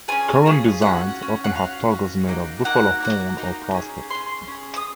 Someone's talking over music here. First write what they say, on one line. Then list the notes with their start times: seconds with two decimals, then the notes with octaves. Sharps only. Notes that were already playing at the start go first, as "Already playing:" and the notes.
Current designs often have toggles made of buffalo horn, or plastic.
0.08 C#4 F4 G#4 G#5
0.46 C#4 F4 G#4
0.82 C#4 F#4 F#5
1.19 C#4 F#4
1.44 F#5
1.55 C#4 F#4 F5
1.91 C#4 F#4
2.27 A#3 D#4 F#4
2.64 A#3 D#4 F#4 F#5
3.00 A#3 D#4 F#4
3.38 A#3 D#4 F#4
3.74 C#4 G#4
4.10 C#4 G#4 C6
4.48 C#4 G#4
4.76 D#6